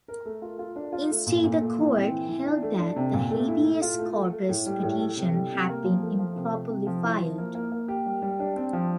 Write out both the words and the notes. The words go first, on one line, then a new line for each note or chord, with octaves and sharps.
Instead, the Court held that the "habeas corpus" petition had been improperly filed.
A#4
A3
F4
F4
D4
F4
A3
A#2
A#2
A3
E3
C4
E3
E3
D4
A3
D4
C3
A#2
A3
E4
A3
F4
A3
A3
A3
A2
G3
A2
A4
C3
G3
C3
A#3
F3
A3
F3
C3
A3
C3
F3
E4
F3
A#3
A#3
A#3
G4
G3
G3
D4
C4
F3